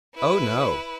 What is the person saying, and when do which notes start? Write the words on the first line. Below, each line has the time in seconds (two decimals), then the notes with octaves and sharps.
"Oh, no!"
0.15 E4 B4